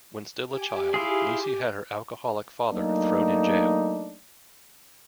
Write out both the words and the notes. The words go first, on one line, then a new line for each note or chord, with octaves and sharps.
When still a child, Lucy had her alcoholic father thrown in jail.
G4 G#5 D6
E4 F4 G#4
F#3 A3 A#3 D4 D#4